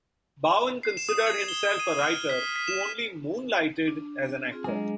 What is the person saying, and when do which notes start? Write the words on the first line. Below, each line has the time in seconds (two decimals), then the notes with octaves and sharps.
Bowen considered himself a writer who only moonlighted as an actor.
0.83 C7
0.97 E7
1.09 D#6
1.27 G#6
1.48 G7
1.80 D#7
1.99 F6
2.29 B6
2.56 B6
2.68 E7
2.81 B6
3.88 D4
4.52 C4 F4 G#4
4.64 F#3 G#3 D4 G#4 A#5